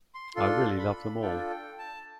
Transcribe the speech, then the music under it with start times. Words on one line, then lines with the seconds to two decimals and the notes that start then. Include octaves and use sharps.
I really love them all.
0.15 C6
0.36 D4 F4 A4 C6
0.79 B5
1.22 D4 F4 A4 G5
1.51 G5
1.79 A5